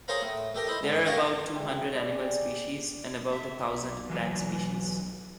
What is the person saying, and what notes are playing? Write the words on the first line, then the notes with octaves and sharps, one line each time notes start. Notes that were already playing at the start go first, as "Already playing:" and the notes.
There are about two hundred Animal species, and about a thousand plant species.
G#4 A#4 C5 C#5 F5 A#5
A2
A3 G4 A#4
D#4 E4 C5
G#2
F#4 G4 A#4 F5 A5 C#6
G#1 G#2 F#3 E4 G#4 G5
G4 G#4 D5
E5
B1
E3 F#3 B4